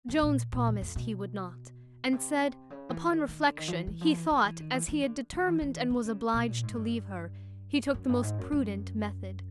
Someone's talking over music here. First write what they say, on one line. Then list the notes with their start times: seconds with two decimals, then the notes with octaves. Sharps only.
Jones promised he would not; and said, upon reflection, he thought, as he had determined and was obliged to leave her, he took the most prudent method.
0.09 E2
0.22 A#2
0.53 A#2
0.67 E2
0.82 F2
0.96 B2
2.13 C3
2.70 C#3
2.89 E3
3.09 D#3
3.28 D#3
3.43 D3
3.57 D#3
3.68 F3
3.72 E3
3.87 E3
4.01 F3
4.16 E3
4.31 F3
4.45 E3
4.60 D#3
4.74 E3
4.88 E3
5.02 D3
5.33 D#3
5.46 E3
5.62 E3
5.76 D#3
5.90 D3
6.05 C#3
6.34 B2
6.48 A#2
6.63 G#2
6.77 G2
7.94 F#2
8.09 G2
8.23 G#2
8.38 F#2
8.52 F#2